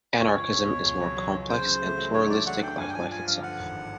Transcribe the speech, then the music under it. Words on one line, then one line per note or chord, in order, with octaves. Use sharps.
Anarchism is more complex and pluralistic, like life itself.
C#2 C#5
C#2
C#2
B2
C#2
F#3
F#3
F#3
C#3 C5
C#3
A3
F#3
D4 C#5
A3 D5
F#3 F#5
D4 G5
G2 G#5
G5
F3 G#5
F3 G#5
G2 F5
D3 F#5
G#1